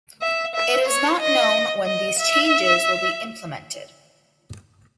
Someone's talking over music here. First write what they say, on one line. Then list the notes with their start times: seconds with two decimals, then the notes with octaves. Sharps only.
It is not known when these changes will be implemented.
0.22 E5
0.55 E5
0.88 C#5
1.21 D#5
1.86 D#5
2.20 E5